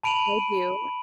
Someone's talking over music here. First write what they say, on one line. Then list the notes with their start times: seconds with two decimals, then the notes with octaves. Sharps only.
I do.
0.03 A5 B5 D7 D#7 F7 F#7